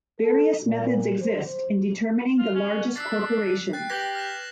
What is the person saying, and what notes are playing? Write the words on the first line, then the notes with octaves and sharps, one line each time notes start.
Various methods exist in determining the largest corporations.
A4
A#2
C5
F4
C#4
D4 E6 F#6 A6 B6 C7
G5 F#6 A6 C7
G4 B4 G#6 A#6 B6 F#7
F6 A#6 E7